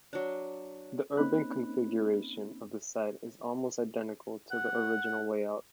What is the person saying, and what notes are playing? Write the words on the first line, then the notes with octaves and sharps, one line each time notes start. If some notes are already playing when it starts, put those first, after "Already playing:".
The urban configuration of the site is almost identical to the original layout.
F#3 D4
A#3 C4 C#4 D#4 B5 F#6
F#5